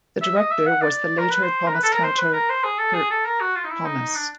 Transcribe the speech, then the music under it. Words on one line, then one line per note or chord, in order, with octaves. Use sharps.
The director was the later Thomaskantor Kurt Thomas.
E5
D#5
E5
F#5
D5
A#4
B4
C5
A#4
B4
A4
A#4
C5
B4
A#4
C5
G#4
A4
G#4
A4
A#4
F#4
F4
D#4
E4
D#4
D4